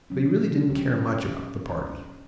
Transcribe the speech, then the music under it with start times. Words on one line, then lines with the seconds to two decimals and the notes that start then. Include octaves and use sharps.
But he really didn't care much about the party.
0.10 B2 F#3 C#4
0.69 F#3 C#4 G4